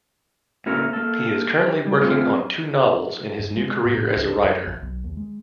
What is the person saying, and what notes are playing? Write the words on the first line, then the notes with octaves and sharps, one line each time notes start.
He is currently working on two novels in his new career as a writer.
A#3 C#4 E4 F#4 A4 A#4
A#3 A4
G4
G3
A3 B3 C4 F4 G#4
G2
G#3
A2
A2
C#2
F#2
A#1
B1
D#2
G#3